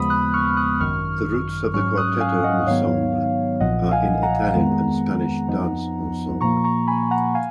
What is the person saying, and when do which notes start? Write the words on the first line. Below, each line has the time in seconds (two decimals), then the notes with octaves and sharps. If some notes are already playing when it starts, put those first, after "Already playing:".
The roots of the cuarteto ensemble are in Italian and Spanish dance ensembles.
Already playing: D#2 C#3 F3 G#3 B3 B5 D#6
0.10 D#6 F#6
0.34 C#6 F6
0.57 D#6 F#6
0.80 G#1 F#2 D#3 C#6 F6
1.74 G#2 F#3 C#4 C#6 F6
1.97 D#6 F#6
2.20 F5 G#5
2.44 D#5 F#5
2.67 G#2 D#3 F#3 B3 D#4 C#5 F5
3.60 B1 A#2 F3 D#5 F#5
3.91 F5 G#5
4.23 F#5 A#5
4.54 F2 D#3 G#3 B3
5.48 F2 F3 B3 D#4
6.41 A#2 F3 A#3 A#5 C#6
6.64 A#5 C#6
6.87 G#5 B5
7.11 F#5 A#5
7.35 F5 G#5